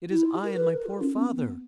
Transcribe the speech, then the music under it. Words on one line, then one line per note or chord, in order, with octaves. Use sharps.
"It is I and my poor father."
E4
F4
G4
A#4
B4
A#4
F4
C#4
B3
B3